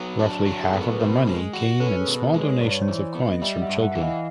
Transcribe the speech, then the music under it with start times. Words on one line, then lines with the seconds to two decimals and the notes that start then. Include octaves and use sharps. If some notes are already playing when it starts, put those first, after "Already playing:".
Roughly half of the money came in small donations of coins from children.
Already playing: F#3 B3
0.19 D4
0.46 F#3
0.63 G#4
0.72 B3 A4
0.81 A#4
0.91 B4
0.99 B2 A#4 C5
1.27 G#3
1.53 F#4
1.80 C#4 A4 B4
2.01 G#4 A#4
2.07 B2
2.20 A4 B4
2.34 G#3
2.41 B4 C#5
2.61 G2 D5
2.71 C#5
2.82 C5 D5
2.88 E3
3.15 B3
3.31 D#5
3.41 G3 D5 E5
3.62 E5 F#5
3.69 G2
3.82 E5 F#5
3.95 E3
4.02 D#5 F5